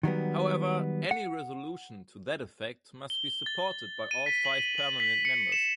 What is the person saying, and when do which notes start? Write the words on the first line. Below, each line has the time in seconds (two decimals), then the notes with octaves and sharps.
However, any resolution to that effect must be supported by all five permanent members.
0.03 D#3 F#3 G3 B3
1.11 F#5
3.10 G7
3.46 A6
4.11 D#7
4.26 B6
4.45 F#7
4.78 F#7
5.00 B6
5.25 C#7
5.52 E7